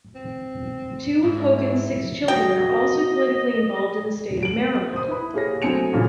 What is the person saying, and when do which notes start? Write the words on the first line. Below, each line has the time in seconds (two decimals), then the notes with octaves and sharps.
Two of Hogan's six children are also politically involved in the state of Maryland.
0.15 C4
1.24 G#2 E4
2.28 F#4 D#5 G5
4.43 D7 F#7
4.93 C5 D#6
5.08 E4 B4 B5
5.33 A#3 G4 G#4 C#5 A#6
5.62 D2 F#3 C4 G#5 C#7 F7
5.92 F2 A#2 C#3 E3 F#3